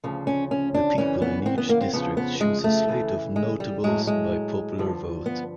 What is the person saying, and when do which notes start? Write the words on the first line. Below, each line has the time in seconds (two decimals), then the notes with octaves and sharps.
The people in each district chose a slate of "notables" by popular vote.
0.04 D2 C#3 F3
0.27 C#4
0.51 C#4
0.74 D4
0.98 F#2 C#3 E3 C#4
1.22 B3
1.46 C4
1.58 B3
1.69 A#3
1.81 C4
1.93 F2 C#3 F3 B3
2.17 B3
2.41 G#3
2.64 A3
2.88 D2 C#3 E3
3.36 G#3
3.60 G3
3.84 A2 F#3 G#3
4.07 G#3
4.78 G2 D3 F3
5.26 B3